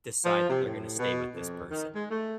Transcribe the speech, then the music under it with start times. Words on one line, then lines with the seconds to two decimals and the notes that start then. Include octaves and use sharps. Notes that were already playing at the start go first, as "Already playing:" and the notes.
decide that they're gonna stay with this person.
0.24 F3
0.48 C3
0.64 A2
0.98 B2
1.35 F2
1.70 D#3
1.94 G#3
2.10 A3